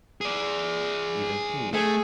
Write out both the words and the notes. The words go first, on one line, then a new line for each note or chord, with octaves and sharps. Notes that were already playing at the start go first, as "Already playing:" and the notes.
"Even he!"
G#4 D5
A3 G#4